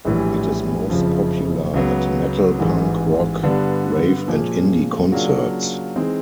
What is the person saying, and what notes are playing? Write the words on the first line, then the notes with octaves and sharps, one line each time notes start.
It is most popular at metal, punk, rock, rave and indie concerts.
A#1 A2 E3 G3
F#1 F2 C#3 F3
C#2 C#3 F#3 B3
A1 G#2 E3
G2 D3 G3 B3 D4
A#2 F3 G#3
C#3 F#3 A#3 D4 F4
E3 G#3 C4 D#4